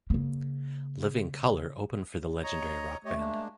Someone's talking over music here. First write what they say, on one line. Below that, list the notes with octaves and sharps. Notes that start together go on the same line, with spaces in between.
Living Color opened for the legendary rock band.
C#3 A#3
C#5 D#5 A#5
A3 G4 C#5 D#5
G#3 A#3 D4